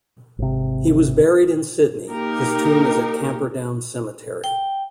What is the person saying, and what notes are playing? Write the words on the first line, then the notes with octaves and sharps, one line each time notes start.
He was buried in Sydney; his tomb is at Camperdown Cemetery.
G#1 C3
A#3 D#4 G4 A#4
G5